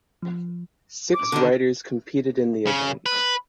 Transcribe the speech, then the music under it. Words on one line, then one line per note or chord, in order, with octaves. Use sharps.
Six riders competed in the event.
F3
D6
D3 D#3
C#3
B4